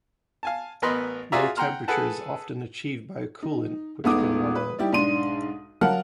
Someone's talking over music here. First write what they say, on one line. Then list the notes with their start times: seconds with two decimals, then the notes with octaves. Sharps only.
Low temperature is often achieved by a coolant, which can run out.
0.43 F5 G#5 A5
0.82 A1 B3 A#4 B4 D#5 C6
1.32 F4 F#4 G#4 D5 E5 A#5
1.57 F#5 G5 A#5 C6 F6
1.88 G#4 A4 B4 F#5 A5
3.43 D#4
4.04 E1 A3 B3 D#4 D6 D#6
4.55 B4
4.79 G3 D#4 E4 G4
4.93 B1 G#2 D4 C6 D#7
5.81 F#3 A#4 F5 F#5 A5 F6